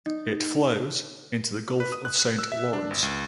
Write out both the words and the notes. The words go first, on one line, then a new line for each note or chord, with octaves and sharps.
It flows into the Gulf of Saint Lawrence.
D#4
B4
D#6
F#6
F#6
E6
E5
D4
G#1
C#2